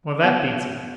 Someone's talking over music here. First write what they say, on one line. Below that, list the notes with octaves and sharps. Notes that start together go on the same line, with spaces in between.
Well, that beats me.
B3